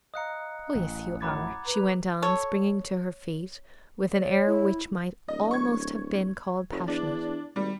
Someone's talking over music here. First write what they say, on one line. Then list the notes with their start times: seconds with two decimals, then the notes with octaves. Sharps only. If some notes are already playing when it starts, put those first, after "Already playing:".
"Oh yes, you are," she went on, springing to her feet with an air which might almost have been called passionate.
0.14 D#5 F5 A#5 D#6 F#6 C#7
0.75 A1
1.21 F#2 F#5 A#5 B5 D6 G#6 A6
1.66 B4 A#5 F7
2.22 A4 C#5
4.14 C#5 D5
4.46 E4
5.28 D1 D#5
5.51 C#6 G#6
6.72 F#1
6.88 E2 D4
7.56 G#1 G3